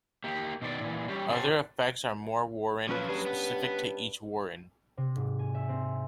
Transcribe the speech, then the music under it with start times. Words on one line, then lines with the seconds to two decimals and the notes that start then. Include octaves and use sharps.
Other effects are more warren specific to each Warren.
0.24 A#3 G4
0.62 B2 D#3 C5 D5
0.81 A#2 E3
1.08 G3 C#4 G4
1.29 C3 C#4 G4 A4 C5
2.89 F3 F#3 C#4 B4
3.09 G2 F#3 G#4
3.26 B3
4.97 C3
5.16 G#2
5.39 G#5
5.54 E5
5.69 C4